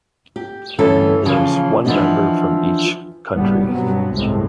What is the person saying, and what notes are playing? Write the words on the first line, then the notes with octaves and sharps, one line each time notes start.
There is one member from each country.
G4
D2 G2 E3 C#4 A4
D#2 C#3 E3 F3
E3 F3 A#3 B3 D4 D#5
F#1 A2 G3 B3
G2 B2 F#3 B3 C4
G1 C2 A2 C3 G#3 C4